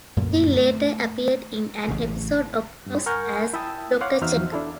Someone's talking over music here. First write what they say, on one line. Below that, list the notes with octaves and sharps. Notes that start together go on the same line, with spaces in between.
She later appeared in an episode of "House" as Doctor Cheng.
F#2 A#2 D3
A3
A1 A2 C#3
G2
A#4 F#5 G#5 C#6 F6 G6
E4 E5 G5 A5 D#6 E6
C#5 F5 F#5 C6 D6
E2 D#4 F#4 C5 E5 F6
D4 E4 A4